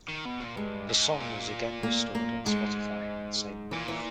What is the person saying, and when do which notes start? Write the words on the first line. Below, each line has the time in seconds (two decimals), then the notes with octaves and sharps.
The song was again restored on Spotify in the same month.
0.09 D#3
0.26 B2
0.40 A#2
0.56 G2 G#3
0.89 G#2
1.20 A#2
1.83 A#3
2.15 A#3
2.45 G#2 G#3
3.71 A#2 E3
3.88 E3